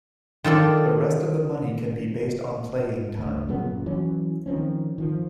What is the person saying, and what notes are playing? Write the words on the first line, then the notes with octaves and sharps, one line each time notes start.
The rest of the money can be based on playing time.
D#3 F4 A4 D5
D2
F#2 A#2 C#3 B3
E3 F#3 C#4
D#3 F3 C4 C#4
D#3 F3